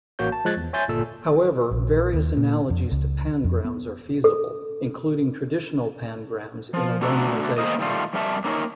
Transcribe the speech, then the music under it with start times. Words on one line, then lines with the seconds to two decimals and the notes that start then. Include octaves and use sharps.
However, various analogies to pangrams are feasible, including traditional pangrams in a romanization.
0.19 A1 A#3 F#4 C#5 G6
0.32 A5
0.45 F3 G#3 F#6 G#6 A6
0.57 E2
0.73 C#5 E5 G#5 C6 G6 A6
0.88 G1 A#2 A4 E6
1.71 A#1
2.13 D#2
2.37 A#2
2.70 F2
2.92 C#2
3.44 F2
3.65 B3
4.24 A4
6.73 F3
7.01 D3 A3 F#4 A4 A#5
7.58 E2 G#3 A#3 A#4 C5 D#5
7.79 D#3 G3 A3 F4
8.13 F2 G3 G4 A#4 E5 A5
8.44 A#3 C#4 D#4 E4 A#4 C#5